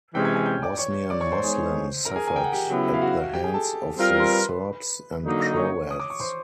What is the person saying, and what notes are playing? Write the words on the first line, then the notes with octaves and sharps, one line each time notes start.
Bosnian Muslims suffered at the hands of the Serbs and Croats.
C3 E3 G#3 C#4 G5 G6
G#5 G#6
G#5 G#6
G5 G6
D5 D6
C#5 C#6
D5 D6
C#5 C#6
C5 C6
G#3 B3 D#4 G#4 C#5
A#4 A#5
G#4 G#5
G#5
G5
F#5
G4 G5
C#3 F#3 B3 E4
E5
F5
F#4 F#5
G4 G5
G#4 G#5
A4 A5
G3 C4 F4 A#4
C6
B4 B5
D3 F#3 A#3 D#4
C#5 C#6
D#6
D6
C#6
C5 C6